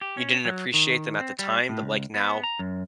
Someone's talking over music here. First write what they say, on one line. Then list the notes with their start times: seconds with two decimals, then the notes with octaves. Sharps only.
you didn't appreciate them at the time, but, like, now,
0.01 G4
0.17 C#4
0.45 F#3
0.74 D#3
1.20 C4
1.39 G3
1.69 A2
1.81 C#2
2.14 B3
2.44 A#5
2.59 F#2